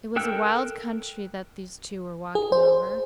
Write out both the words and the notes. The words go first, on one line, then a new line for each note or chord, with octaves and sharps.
It was a wild country that these two were walking over.
A4 A#4 G5 E6 F#6
G#4
C5